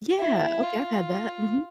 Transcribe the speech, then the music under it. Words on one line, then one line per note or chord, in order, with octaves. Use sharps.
Yeah. Okay. I've had that. Mhm.
E4
F4